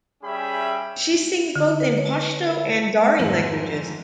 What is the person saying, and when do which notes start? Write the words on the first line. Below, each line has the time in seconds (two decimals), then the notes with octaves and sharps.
She sings both in Pashto and Dari languages.
0.24 G3 C#4 G#4 E5 G5 B5
1.56 D3
1.80 B4
1.98 C#5
2.14 B4
2.47 A#4
3.19 F2 G#2 D#3 A3 A#6 F#7